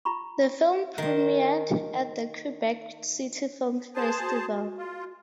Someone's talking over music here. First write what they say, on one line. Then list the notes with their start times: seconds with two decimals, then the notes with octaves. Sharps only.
The film premiered at the Quebec City Film Festival.
0.05 F4 A#5 B5 C#6
0.98 D#3 C5
3.95 G#4 B4 C5 A5
4.21 F#4
4.78 F4